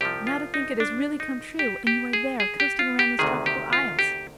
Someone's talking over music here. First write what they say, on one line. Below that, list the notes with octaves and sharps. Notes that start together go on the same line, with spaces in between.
And now to think it has really come true, and you are there, coasting around those tropical isles!
C2 C3 F3 G4
F4
D#4
D4
D#4
G4
G4
G#4
G#4
G4
F4
G4
D2 C3 D#3 G#4
G4
F4
G4